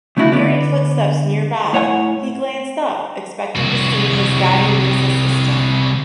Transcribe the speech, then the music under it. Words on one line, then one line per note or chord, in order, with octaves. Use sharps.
Hearing footsteps nearby, he glanced up, expecting to see his Guyanese assistant.
C#3 A3 C#4 E4 F#4
D3 B3 B4 D5
A2 C#5 F#5 G#5
C2 F#4